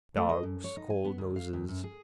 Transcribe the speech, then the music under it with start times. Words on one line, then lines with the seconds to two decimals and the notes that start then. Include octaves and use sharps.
Dogs' cold noses.
0.17 A3
0.29 D#5
0.43 F#2
0.64 C#5
0.77 D#4
0.90 G#5
1.05 B3
1.18 D2
1.36 F5
1.53 D#2
1.68 F#2
1.84 G#4